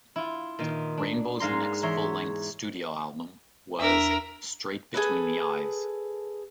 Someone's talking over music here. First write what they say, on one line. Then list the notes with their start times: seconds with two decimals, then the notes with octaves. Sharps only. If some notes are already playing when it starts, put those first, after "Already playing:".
Rainbow's next full-length studio album was "Straight Between the Eyes".
0.16 E4 F4
0.59 A#2 D#3
0.98 D4
1.40 G#2 F5 A#5 C6
1.83 E2 C#5 E5 A#5 C6
3.79 E2 D4 A#4 E5
4.94 G#4 A4 B4